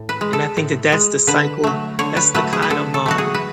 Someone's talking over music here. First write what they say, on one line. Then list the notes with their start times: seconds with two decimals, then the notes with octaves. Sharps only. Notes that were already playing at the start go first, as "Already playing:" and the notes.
and, I think that that's the cycle that's the kind of, um,
Already playing: A2
0.09 B4
0.21 G#3
0.33 A4
0.57 A2
0.92 G#3
1.27 D3 B4
1.64 F#3 A3
1.99 D3 C#5
2.17 B4
2.34 F#3 A3 B4
2.53 G#4
2.62 B4
2.70 D3 A4
2.94 A4
3.06 F#3 A3 F#4
3.18 G#4
3.34 B4